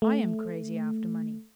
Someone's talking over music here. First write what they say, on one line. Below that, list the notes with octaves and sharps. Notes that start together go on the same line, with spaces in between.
I am crazy after money.
A3